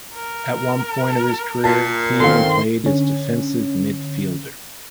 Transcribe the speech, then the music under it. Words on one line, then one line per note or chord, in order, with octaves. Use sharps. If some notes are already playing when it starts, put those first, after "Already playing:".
At one point of his career he even played as defensive midfielder.
A#4
A#2 A5
D#3 C4 A4 F5 C6
D3 C#4